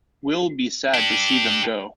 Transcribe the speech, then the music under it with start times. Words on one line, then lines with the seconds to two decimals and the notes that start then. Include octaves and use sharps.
We'll be sad to see them go!
0.94 D4 G4